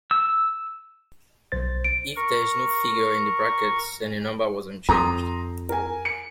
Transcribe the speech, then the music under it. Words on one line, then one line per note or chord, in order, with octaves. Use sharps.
If there is no figure in brackets then the number was unchanged.
E6
B1 C5 A6
D7
A#4 C#6
F2 A#5 C6 D#6
A#4 G#5
C#7